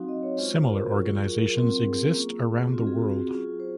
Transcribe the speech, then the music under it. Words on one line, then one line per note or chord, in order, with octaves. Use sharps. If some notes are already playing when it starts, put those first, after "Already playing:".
Similar organizations exist around the world.
Already playing: F#3 C4 D#4 F#4 F5
D#5
C#5
G#3 C#4 F4 C5
C5
A#4
F#4
F#3 C#4 F4 G#4
A#4
G#4
A#4
F#3 C4 F4
G#4
A#3 C#4 F4 G#4
C4 F4 F#4
G#4
F#4
F#3 C#4 F4 G#4
C5